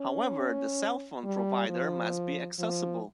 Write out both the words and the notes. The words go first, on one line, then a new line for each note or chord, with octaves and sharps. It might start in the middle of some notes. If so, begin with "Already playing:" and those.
However, the cellphone provider must be accessible.
Already playing: C#4
G3
F3
F3